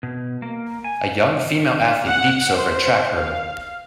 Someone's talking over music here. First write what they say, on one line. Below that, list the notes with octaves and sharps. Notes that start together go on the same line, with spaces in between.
A young female athlete leaps over a track hurdle.
B2
A#3
G#5
F#5
C5
F5